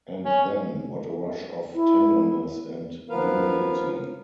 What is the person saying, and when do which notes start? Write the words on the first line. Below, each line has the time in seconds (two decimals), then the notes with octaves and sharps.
And then, what a rush of tenderness and humility!
0.24 C#4
1.74 E4
3.09 D#2 F3 B3 A#4 B4 F5